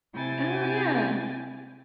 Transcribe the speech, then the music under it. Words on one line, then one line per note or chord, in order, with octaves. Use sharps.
Oh, yeah.
C3 E4 G5 G#5 A6